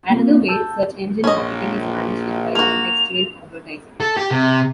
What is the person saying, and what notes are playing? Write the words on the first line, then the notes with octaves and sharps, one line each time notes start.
Another way search engine marketing is managed is by contextual advertising.
A#3 C4 F4
A5 E6 G6
A#1 C#4 D#5
A#3 F#4 F7
A4
G4
C3